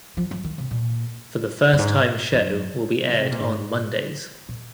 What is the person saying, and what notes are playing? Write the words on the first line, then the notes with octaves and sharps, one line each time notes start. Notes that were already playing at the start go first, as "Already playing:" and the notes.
For the first time show will be aired on Mondays.
F3
F3
D#3
C3
A#2
F#2
G#2
F#2
C#3
C3
A#2
G#2
A#2